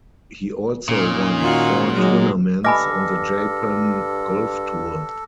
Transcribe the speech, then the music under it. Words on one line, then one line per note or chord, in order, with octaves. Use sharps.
He also won four tournaments on the Japan Golf Tour.
A#2 C#4 D#4
D#3 F4 F#4
F#3 G#3 D#4 F#4
G2 A4 D#5 G#5 B5 D6 F6 A#6